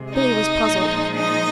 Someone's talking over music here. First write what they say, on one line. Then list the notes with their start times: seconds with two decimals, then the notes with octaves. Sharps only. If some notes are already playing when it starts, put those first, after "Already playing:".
Billy was puzzled.
Already playing: C3 G#3
0.14 D#4 D#5
0.65 A#2 F3 G#3
1.16 D#4 D#5